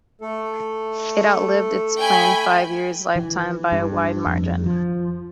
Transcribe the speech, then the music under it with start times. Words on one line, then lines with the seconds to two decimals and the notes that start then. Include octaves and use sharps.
It outlived its planned five-year lifetime by a wide margin.
0.21 A3 A4
2.00 G5 G#5 B5
3.16 E3
3.72 G2
4.26 F2
4.66 F3